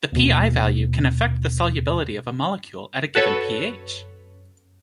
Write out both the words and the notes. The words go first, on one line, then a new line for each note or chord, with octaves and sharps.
The pI value can affect the solubility of a molecule at a given pH.
D#2 B2
F#4 A4 B4 C#5